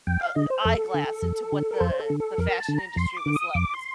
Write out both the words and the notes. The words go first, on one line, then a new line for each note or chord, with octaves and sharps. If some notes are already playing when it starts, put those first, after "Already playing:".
uh eh eyeglass into what the the fashion industry was like it’s
F2 G5
F5
D3 D#5
C5
F2 A4
D3
F2
D3
A#4
F2 C5
A4
D3
A4
F2 A#4
A#5
A5
D3
A#5
F2 C6
D6
D3
D#6
F2 D6
C6